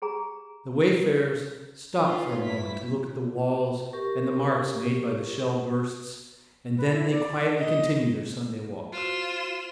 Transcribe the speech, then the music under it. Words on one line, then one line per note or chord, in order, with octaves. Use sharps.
The wayfarers stop for a moment to look at the walls and the marks made by the shell-bursts, and then they quietly continue their Sunday walk.
G4 G#4 A#5
C#4 D#4 F4 B4
G2 E4 B6
G4 A#4 C#6
B4
E4
D5
D#5
F4 F#4 C5 E7